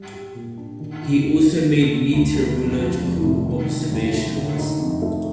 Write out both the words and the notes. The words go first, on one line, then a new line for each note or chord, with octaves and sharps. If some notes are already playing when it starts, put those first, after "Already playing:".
He also made meteorological observations.
Already playing: G3
G4
A#2
D4
D#3
D#4
D#2
A#3
D3
D4
D2
G3
F2
F3
F1
C3
D#3
D4
D#2
A3
D3
D#4
F2
A3